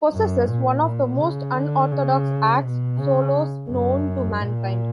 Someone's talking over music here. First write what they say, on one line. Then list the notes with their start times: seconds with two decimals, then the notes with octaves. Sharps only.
Possesses one of the most unorthodox 'axe' solos known to mankind.
0.12 F#2
0.47 A#2
0.84 A#2
1.19 C#3
1.55 D3
1.92 C#3
2.63 B2
2.99 C#3
3.70 F#2
4.41 A#2